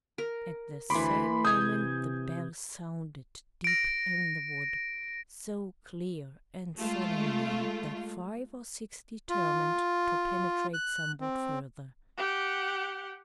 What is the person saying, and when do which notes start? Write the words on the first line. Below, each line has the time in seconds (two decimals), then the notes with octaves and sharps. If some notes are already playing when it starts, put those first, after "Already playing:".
At the same moment the bell sounded deep in the wood, so clear and solemnly that five or six determined to penetrate somewhat further.
0.18 A#4
0.90 D2 E3 D5 B5 C6
1.45 C3 D#6 G6 G#6
3.64 A#6 D7
6.78 G#3 A3 F4
9.29 F4
10.74 F#6
11.21 C4
12.18 G4 F#5